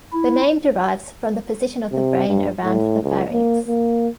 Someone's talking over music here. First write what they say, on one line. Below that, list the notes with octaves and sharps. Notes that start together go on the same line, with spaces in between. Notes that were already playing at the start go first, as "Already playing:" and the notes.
The name derives from the position of the brain around the pharynx.
E4
C3
G2
A2
C#2
A#3
A#3